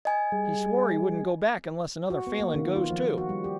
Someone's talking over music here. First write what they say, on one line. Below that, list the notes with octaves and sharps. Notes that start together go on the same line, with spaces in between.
He swore he wouldn't go back unless another Falin goes too.
D#5 G#5
G3 G#4
F#4
B3
A#3
D#3
F4
F3
F#4
G3
G4